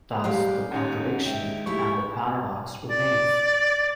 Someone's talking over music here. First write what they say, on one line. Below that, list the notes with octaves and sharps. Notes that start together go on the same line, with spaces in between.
Thus, the contradiction, and the paradox, remains.
G3 G#3 G4 F5
D#2 C#4 D#4 C#5 F#5
G#3 E5 G5
A3 E4 G4 C#6
D5